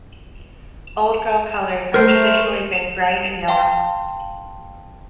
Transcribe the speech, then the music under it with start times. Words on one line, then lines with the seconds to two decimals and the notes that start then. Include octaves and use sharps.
Old Girl colors have traditionally been grey and yellow.
1.94 A3 A#4 C5
3.48 F5 G5 A5 C6